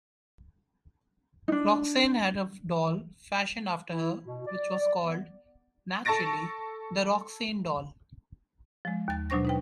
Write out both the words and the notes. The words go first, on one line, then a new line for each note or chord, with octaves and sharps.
Roxanne had a doll fashioned after her which was called, naturally, "The Roxanne Doll".
D4 D#4
E4
B2
D5
D5
B3
A4 A5 C#6 A6 A#6 D7
F3 G#3
D#2 A6
B2 F#3 D4 C5 C#6 A#6
D#4 B4 G5